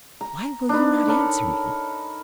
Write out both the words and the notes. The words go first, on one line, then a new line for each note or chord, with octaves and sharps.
Why will you not answer me?
A#5
D4 D#4 B4
A4 A#4 C#5 B5